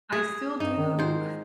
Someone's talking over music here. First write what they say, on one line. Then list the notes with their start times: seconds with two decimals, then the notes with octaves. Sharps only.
I still do.
0.12 G#4
0.60 G2 D#4
0.78 D#3
0.99 G#2 C5